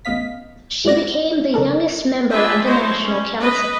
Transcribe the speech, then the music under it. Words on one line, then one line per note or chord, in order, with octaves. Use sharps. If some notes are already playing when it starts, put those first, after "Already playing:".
She became the youngest member of the National Council.
A1 A2 B3 D#5 F5 B6
F#2 G#3 F#4 D5 A#6
C#3 D4 A4 A#4
D4 F4 G#4 B4 E5
E4 F#4 C5 C#5 D#5
C#4
B4 D#5